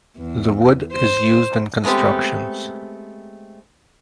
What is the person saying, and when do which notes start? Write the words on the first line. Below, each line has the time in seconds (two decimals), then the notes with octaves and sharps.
The wood is used in constructions.
0.17 E2
0.93 C5
1.84 G#3 A3 B3 C4 G4